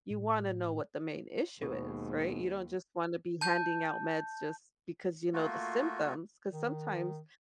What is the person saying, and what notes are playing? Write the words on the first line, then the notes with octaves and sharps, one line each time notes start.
you wanna know what the main issue is, right? You don't just wanna be handing out meds just because you know the symptoms, 'cause sometimes
A2
D#2 G#2 B2
A5 G6
A3 A#3 F4 F#4
D#3